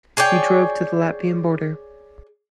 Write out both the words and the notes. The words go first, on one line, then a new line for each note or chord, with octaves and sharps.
He drove to the Latvian border.
G#4 C#5 D5 G5